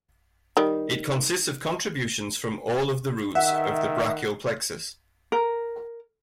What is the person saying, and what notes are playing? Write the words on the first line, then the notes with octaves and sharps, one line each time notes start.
It consists of contributions from all of the roots of the brachial plexus.
D#3 G3
D#3 E5 F#5
A#4